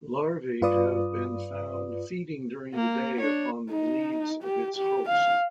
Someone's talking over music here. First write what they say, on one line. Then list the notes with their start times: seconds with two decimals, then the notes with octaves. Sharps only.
Larvae have been found feeding during the day upon the leaves of its host.
0.62 G2 F4 B4 D5 D#6
2.74 A#3
3.20 D4 C#5
3.71 D#4
4.43 G4
4.76 G4
5.09 F5